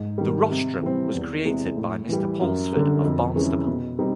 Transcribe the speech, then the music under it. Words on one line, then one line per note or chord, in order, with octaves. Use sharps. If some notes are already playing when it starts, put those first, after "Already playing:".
The rostrum was created by Mister Pulsford of Barnstaple.
Already playing: G#2
D#3 G3
C3
E3 G3 C4
E2
C3 E3 G#3
A2
E3 G3
F#2
D3 G3
F2
C3 E3 G#3 C#4
B2
G3 C4 D#4